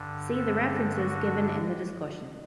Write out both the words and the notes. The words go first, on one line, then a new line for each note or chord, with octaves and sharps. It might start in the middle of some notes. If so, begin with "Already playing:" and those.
See the references given in the discussion.
Already playing: G2 D3
A4
F#4